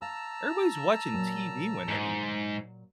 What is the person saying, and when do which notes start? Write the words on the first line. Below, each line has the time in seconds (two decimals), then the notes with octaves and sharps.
everybody's watching TV when they're eating."
0.02 F5 A5 A#5 E6
1.12 A#2 F#3 G#5
1.88 G#2